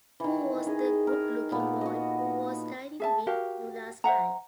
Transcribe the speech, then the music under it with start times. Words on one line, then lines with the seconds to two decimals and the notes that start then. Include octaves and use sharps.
Who was that good-looking boy who was dining with you last night?
0.20 D#3 E3
0.66 D#3 G#4 D#5
1.07 A#4
1.52 A#2 B3 A4
1.81 F#4 D#5
3.00 G#4 E5 A5
3.27 F#4 G4 A#4 F5
4.04 C5 E5 F#5 A#5